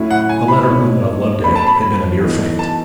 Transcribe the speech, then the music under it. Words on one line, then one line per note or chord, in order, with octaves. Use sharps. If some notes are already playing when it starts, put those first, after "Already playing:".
The latter movement of Loveday had been a mere feint.
Already playing: A2 F#3 C#4 E4
F#5
G#5
B5
B2 G#3 D#4 A4 C#5
B2 A3 C#4 F#4 A4 B5
A5
B5
E3 B3 D#4 F#4 A4
A5